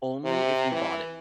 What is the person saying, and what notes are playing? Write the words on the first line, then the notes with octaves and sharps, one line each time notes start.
Only if you bought it.
C3
E3